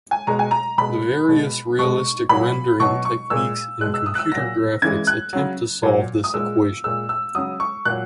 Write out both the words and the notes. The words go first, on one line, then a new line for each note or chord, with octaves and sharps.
The various realistic rendering techniques in computer graphics attempt to solve this equation.
G#5
B2 G#3 A#5
G#5
A#5
B2 G#3 B5
B2 G#3
B2 G#3 C#6
A#2 F#3 B5
B2 F#3 C#6
C#6
A#2 G#3 E6
B2 G#3 F#6
E6
D#6
F#6
E6
A#2 F#3 A#6
C#3 E3 G#3 G#6
F#6
C#3 F#3
A#2 F#3
D#6
A#2 G#3 E6
A#2 G#3 E6
E6
C#3 F#3 D#6
C#6
A#2 F#3 F#6